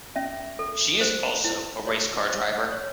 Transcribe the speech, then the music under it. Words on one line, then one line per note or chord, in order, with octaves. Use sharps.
She is also a race car driver.
C#4 E5
A4
C5
E4
F#4 C#5
C5
C#5